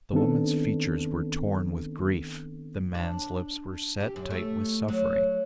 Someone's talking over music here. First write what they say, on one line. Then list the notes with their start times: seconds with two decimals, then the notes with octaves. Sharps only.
The woman's features were torn with grief; the man's lips were set tight with suffering.
0.13 D#3 B3 C4 D4 A4
2.95 D4
4.00 G4
4.16 F#2
4.30 A3
4.88 F#3